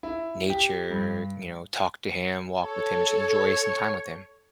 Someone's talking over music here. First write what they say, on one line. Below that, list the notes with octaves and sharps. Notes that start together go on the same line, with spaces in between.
nature, you know, talk to him, walk with him, and should enjoy some time with him.
E4
G4
G2
A4 C#5